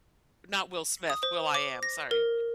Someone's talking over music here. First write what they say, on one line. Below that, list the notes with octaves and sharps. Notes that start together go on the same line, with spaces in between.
not Will Smith, will.I.am, sorry.
D#6
C5
D6
A#6
A#4